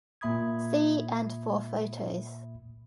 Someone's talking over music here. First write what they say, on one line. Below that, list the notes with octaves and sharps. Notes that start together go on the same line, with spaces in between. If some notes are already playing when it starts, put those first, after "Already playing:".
See and for photos.
A#2 A#3 E5 B5 D#6 G#6